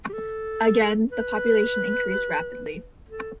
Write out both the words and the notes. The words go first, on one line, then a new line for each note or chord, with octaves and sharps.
Again, the population increased rapidly.
G4
A4
B4
A4